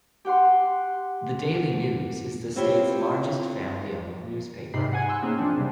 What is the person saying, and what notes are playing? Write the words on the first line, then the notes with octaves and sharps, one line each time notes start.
The "Daily News" is the state's largest family-owned newspaper.
G4 F#5 C6
C4 E4 F4 G4 C#5
G#2 C3 D#4 G4 B5 C7
F#5 G#5 G#6
C6 E6 F#6
A#3 C4 C#4 D#4 G#4
F3 C4 D4
C3 G3 C4